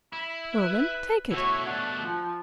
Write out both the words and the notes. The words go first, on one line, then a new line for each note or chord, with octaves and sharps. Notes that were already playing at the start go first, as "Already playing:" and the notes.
"Well, then, take it."
E4 B5
B4
B2 A3 E4 F#4 C#5
D4 F#5
F3